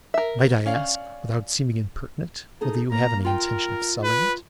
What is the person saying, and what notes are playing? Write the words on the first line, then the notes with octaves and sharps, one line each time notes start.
'Might I ask, without seeming impertinent, whether you have any intention of selling it?'
A#4 E5
C#4 D5 F5
D#4 G#4 A4
A#3 A#5
F4 A#4 G5
B4